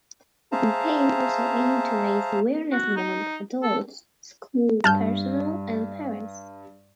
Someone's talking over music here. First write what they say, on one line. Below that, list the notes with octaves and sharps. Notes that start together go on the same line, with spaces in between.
The campaign also aimed to raise awareness among adults, school personnel, and parents.
G#4 C5 E5 F5 A5 A#5
F#4
D#4
A4
G2 A5 F6 G6